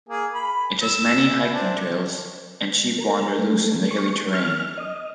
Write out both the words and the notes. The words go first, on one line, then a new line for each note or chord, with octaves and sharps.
It has many hiking trails, and sheep wander loose in the hilly terrain.
A#3 G#4
B5
E6
E4
C4 D4
A#4
A3
C#6
F6
D#5